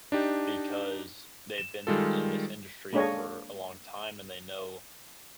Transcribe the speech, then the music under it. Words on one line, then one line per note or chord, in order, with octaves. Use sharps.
because they've been in this industry for a long time and they know
D4 D#4 G4
E7
D#3 G3 G#3 F4 A4
G#3 A#3 D4 A4 C#5 D#5